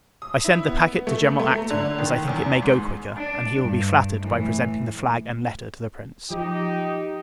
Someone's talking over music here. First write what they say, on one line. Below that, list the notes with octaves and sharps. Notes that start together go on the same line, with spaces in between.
I send the packet to General Acton; as I think it may go quicker, and he will be flattered by presenting the flag and letter to the Prince.
D#6
E4
B3
A3
A3
A#5
D3
D#3
E2
G#2
D4
G2
A2 E3
F3 D#4 G4